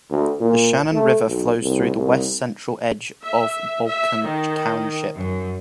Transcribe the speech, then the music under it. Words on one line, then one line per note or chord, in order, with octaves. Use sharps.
The Shannon River flows through the west-central edge of Balkan Township.
D2
A#2
A3
B1
C2
C2
E5
E5
D#3
F#2